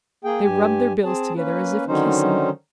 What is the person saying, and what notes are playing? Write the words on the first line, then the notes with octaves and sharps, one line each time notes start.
They rubbed their bills together as if kissing.
A#3 G#4 G5
G2 G4 G#5
C4 G#4 A5
A#3 C#4 B4
D3 D#3 F#3 C#4 D#4 C5